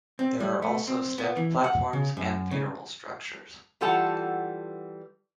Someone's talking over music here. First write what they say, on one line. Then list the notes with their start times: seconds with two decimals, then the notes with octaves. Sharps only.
There are also stepped platforms and funeral structures.
0.19 C4
0.40 G3
0.62 A3
0.88 C4
1.18 B3
1.37 E3
1.64 F#5
1.93 C#3
2.17 F#2
2.51 C#3
3.81 E3 G3 F4 A4 F#5 A5